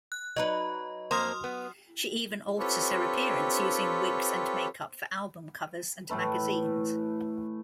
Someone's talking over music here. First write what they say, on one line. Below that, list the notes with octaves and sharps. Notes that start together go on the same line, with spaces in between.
She even alters her appearance using wigs and make-up for album covers and magazines.
F#6
F#3 D#4 B4 D#5
F2 A#3 C5 C6 D#6 F6
B3
C4 F4 G4 A4 B4 C#5
A2 E3 A3 B4